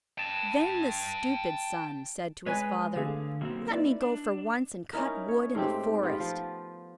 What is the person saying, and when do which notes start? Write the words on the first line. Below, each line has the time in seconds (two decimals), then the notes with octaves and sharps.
Then the stupid son said to his father, "Let me go for once and cut wood in the forest."
0.18 G5 A5
2.46 G#3 B4 C#5 G#5
2.95 D3 A3 G#4 F5
3.41 B1 A#3 C4
3.70 D#4 E4 B4 D5
4.02 D4
4.93 C#4 D#4 E4 A#4
5.28 C#5
5.55 G#2 A3 C4 G4
6.03 B3 F4 G4
6.20 F3